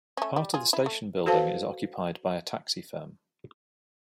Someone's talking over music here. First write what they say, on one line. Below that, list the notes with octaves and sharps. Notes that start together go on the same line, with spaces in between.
Part of the station building is occupied by a taxi firm.
A3 C#4
G3
F4 G#4
E4
A3
F#4 A4 B4 C5 F5 A5